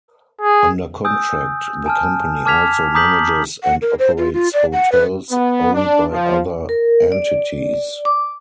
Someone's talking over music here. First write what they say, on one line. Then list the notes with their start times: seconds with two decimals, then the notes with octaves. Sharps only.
Under contract, the company also manages and operates hotels owned by other entities.
0.41 G#4
1.04 G#5 D#6 E6 G6
1.86 G#5 A5 F6
2.45 A5 D6 F6 G#6 B6 F7
2.94 A#5 D6 D#6 G6 B6 F#7
3.63 F#5
3.82 A#4
3.99 C5
4.18 F4
4.34 F4
4.53 D5
4.73 F#5
4.92 B4
5.31 B3
5.74 D4
6.12 F3
6.69 A#4
7.12 D5
8.05 D6